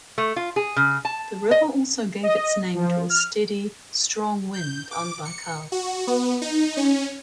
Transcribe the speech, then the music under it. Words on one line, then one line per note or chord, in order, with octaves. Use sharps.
The river also gave its name to a steady, strong wind on Baikal.
A3
F4
G#4
C#3
A5
D#5
D#5
F3
F6
G6
D6
C#7
F#4
B3
D#4
C#4